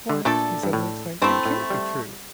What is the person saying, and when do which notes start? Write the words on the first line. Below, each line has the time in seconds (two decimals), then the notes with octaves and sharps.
Why!" he suddenly exclaimed, "it can't be true.
0.09 D3
0.25 A#2 A3 D4 A4
0.63 G2
0.73 A2
1.22 G2 A3 C4 E4
1.46 A2
1.70 G3